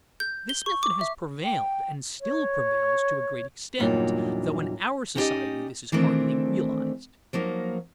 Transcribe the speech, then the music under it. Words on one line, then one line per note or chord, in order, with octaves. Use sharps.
This method has prevailed and still prevails to a great extent, though in our society this is hardly realized.
G6
G7
C#6
D6
E5
G5
C#5
E2 G2 A#2 F#3 D#4
C#4 D#4 E4 G4 D5 D#5
D#3 E3 A3 C4 D4
F3 F#3 A#3 D#4